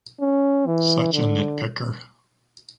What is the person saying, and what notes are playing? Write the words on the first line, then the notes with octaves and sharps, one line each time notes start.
Such a nitpicker.
C#4
E3
D3